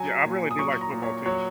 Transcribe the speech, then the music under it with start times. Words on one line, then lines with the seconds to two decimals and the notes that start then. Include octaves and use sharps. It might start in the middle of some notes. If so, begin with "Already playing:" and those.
Yeah, I really do like football too.
Already playing: F#3 G#5
0.25 A#2
0.51 D#6
0.59 F#3 C#6
0.81 A#5
0.92 A#2
1.03 C#5
1.26 F#3 C#5